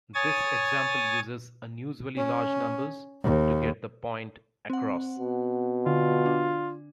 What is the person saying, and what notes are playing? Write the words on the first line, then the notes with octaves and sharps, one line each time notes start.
This example uses unusually large numbers to get the point across.
C#5 G#5 D#6 A6
C#4
D#2
C4 F#5
B2
D3 F4
D4